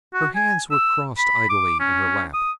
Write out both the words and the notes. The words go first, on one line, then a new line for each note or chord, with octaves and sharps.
Her hands were crossed idly in her lap.
F#4
G#5
E6
B5
D6
C#4
D#6